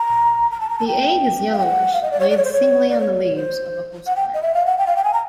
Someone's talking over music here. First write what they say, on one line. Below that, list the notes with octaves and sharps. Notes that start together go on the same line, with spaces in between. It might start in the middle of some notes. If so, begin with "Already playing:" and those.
The egg is yellowish, laid singly on the leaves of a host plant.
Already playing: A#5
A#5
A5
A#5
A5
G5
F5
G5
F#5
F5
D#5
D5
C#5
D5
C#5
C5
C#5
D5
C#5
C5
F#5
G5
D#5
E5
F5
F#5
G5
F5
G5
G#5
A#5